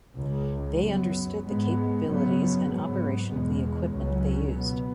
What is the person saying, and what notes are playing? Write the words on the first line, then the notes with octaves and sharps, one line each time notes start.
They understood the capabilities and operation of the equipment they used.
C#2 C#3 G#3
F#2 F#3 B3
G#2 G#3 B3
F#2 C#3 F#3 B3
G#2 F#3 B3
E2 B2 G#3
C#2 C#3 F#3 C#4
B2 B3